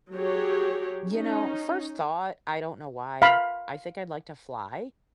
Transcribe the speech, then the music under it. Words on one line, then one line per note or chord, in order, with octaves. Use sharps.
You know, first thought, I don't know why. I think I'd like to fly.
F#3 G4 G#4 C#5
C#4 D#4
F5 B5